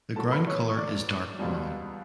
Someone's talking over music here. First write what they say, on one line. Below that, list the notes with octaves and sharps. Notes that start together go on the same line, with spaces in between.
The ground colour is dark brown.
A2 F#3 A4 A5
B4 B5
C#5 C#6
C#6
D5 D6
C#2 B2 G3